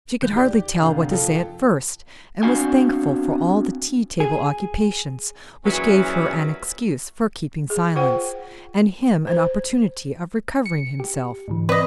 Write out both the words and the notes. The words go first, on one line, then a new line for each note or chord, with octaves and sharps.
She could hardly tell what to say at first, and was thankful for all the tea-table occupations, which gave her an excuse for keeping silence, and him an opportunity of recovering himself.
D#2 G6
G4 D5
F1 D3 F5
F2 F4 A4
B3 C4 D4 F#4 F5 G#5
G#4
E2 A#2 E3 F#3 C#4 B4
G#4
F4 C5 F#5 G5
C5
C#7
G4
G#2 D3 E3
C4 B4 D5 D#5